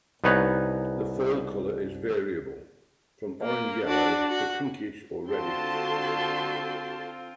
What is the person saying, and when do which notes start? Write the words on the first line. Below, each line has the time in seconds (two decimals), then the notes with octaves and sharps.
The fall color is variable, from orange-yellow to pinkish or reddish.
0.24 C2 B3 D#4 B4 C#5
3.42 A#3
3.86 D4 F#4
4.29 F#4
5.30 D3 C4 F4 F#4 A5 C6